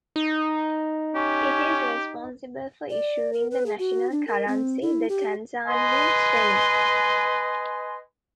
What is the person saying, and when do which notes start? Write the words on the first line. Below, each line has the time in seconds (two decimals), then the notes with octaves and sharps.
It is responsible for issuing the national currency, the Tanzanian shilling.
0.16 D#4
1.15 C#4 G4
2.90 D5
3.33 A#4
3.51 B4
3.66 G#4
3.79 F#4
4.11 D4
4.28 A#4
4.48 C4
4.82 E4
5.09 G4
5.66 B4 D#5 G#5 C6